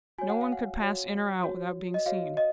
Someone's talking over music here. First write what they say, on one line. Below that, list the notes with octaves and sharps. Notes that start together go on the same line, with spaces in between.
No one could pass in or out without being seen.
F#4 C#5 G#5
F#5
F5
F#5
F#4 C#5
F#4 C#5
D#5
F#4 C#5 F5
D#5